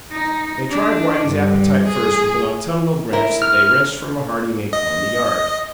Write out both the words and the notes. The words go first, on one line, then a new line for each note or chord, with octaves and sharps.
They tried Whitey's appetite first with an autumnal branch that they wrenched from a hardy maple in the yard.
D#4
D4
G2
G#4
E4 A#4
F6
D#5